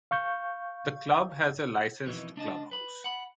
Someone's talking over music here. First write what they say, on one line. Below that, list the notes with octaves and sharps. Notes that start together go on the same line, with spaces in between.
The club has a licensed clubhouse.
F5 C#6 G6
F2 B2 D#3 E3
C#2 D4 D#5 A5
B4 B5
F#5 B5